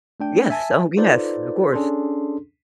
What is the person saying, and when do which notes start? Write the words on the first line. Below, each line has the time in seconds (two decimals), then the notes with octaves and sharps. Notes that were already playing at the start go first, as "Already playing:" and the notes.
Yes. Oh, yes. Of course.
0.20 A3 D4 G5
0.50 E5 G#5 A5
0.97 D#4 F4 A4 B4 C5 D5
1.73 C#4 D4 G#4 A4 C6